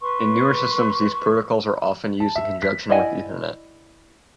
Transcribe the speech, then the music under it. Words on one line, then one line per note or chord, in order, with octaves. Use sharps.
In newer systems, these protocols are often used in conjunction with ethernet.
B4 C6 C#6
A5
E5
B6
E4 D5 D#5 F#5 G#5